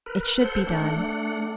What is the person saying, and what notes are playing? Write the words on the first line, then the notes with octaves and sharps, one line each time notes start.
It should be done!
A#4 B4
A4 C5 F#5 G6
A3 D4 F#5